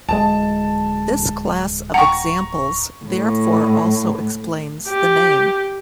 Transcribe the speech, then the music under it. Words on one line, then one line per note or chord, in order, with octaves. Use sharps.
This class of examples therefore also explains the name.
D1 G#3 A5
F#5 G5 A#5 C#6
A2
G4